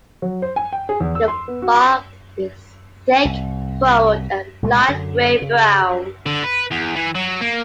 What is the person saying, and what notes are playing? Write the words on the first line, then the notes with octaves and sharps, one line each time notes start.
The bark is thick, furrowed, and light gray-brown.
F#3
C5
G#5
G5
G#4
E2
E6
C6
B3
F#4
D6
C2
C2 A#2 G#3 A3
F#2 D3
C#3
D3
B4
E2
E3
F#3
A#3